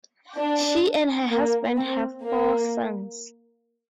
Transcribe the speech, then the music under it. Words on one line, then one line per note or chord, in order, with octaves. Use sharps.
She and her husband have four sons.
D4
A#3
C4
A#3